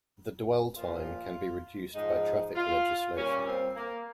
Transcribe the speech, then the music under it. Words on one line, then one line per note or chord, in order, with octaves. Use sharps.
The dwell time can be reduced by traffic legislation.
A#2 F3 F4
G#2 F3 D#4
F4
A#2 G3 C#4
C4
A#3